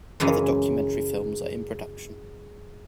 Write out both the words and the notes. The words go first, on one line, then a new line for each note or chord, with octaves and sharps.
Other documentary films are in production.
F#2 C#3 E3 G#3